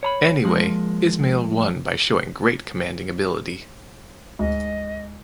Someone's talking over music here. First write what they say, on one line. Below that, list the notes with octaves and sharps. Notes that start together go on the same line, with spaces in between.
Anyway Ismail won by showing great commanding ability.
C#5 A#5 B5
F3 G#3 A#3
D2 G#2 D#5